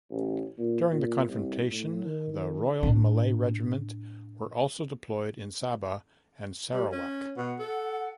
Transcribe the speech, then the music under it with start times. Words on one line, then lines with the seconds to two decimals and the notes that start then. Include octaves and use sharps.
During the confrontation, the Royal Malay Regiment were also deployed in Sabah and Sarawak.
0.11 A1
0.58 A#2
0.92 A#2
1.27 C2
1.69 A2
2.04 D#3
2.34 D#3
2.83 A2 D4
6.73 G3
6.92 C#4
7.37 B2 F#5
7.59 A4